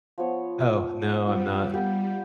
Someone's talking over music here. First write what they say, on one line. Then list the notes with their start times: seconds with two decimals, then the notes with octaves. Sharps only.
Oh, no, I'm not.
0.18 F3 B3 C#5
1.26 G3 C4 F4 F#5
1.74 A#3 B3 G4